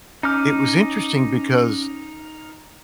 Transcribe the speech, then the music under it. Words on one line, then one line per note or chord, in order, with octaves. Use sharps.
it was interesting because
C#4 D#4 D6 F6